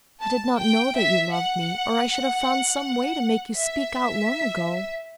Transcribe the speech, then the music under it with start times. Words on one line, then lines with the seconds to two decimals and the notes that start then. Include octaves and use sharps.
I did not know that you loved me, or I should have found some way to make you speak out long ago.
0.22 A5
0.59 G5
0.97 E5
1.33 F#5
3.56 E5